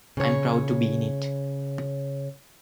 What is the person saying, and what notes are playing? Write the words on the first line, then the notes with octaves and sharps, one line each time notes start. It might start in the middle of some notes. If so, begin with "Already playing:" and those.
I'm proud to be in it.
C#3 C#5